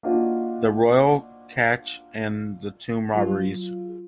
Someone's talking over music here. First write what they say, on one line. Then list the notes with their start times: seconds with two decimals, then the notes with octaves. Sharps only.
The Royal Cache and the Tomb Robberies.
0.03 A#3 D4 D#4 F4 F#4 C5
3.14 F#3 F4